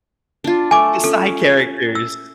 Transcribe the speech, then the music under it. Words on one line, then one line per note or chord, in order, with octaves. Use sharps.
the side characters.
D4 F4
A3 G#5 D6
C#4 A4
E6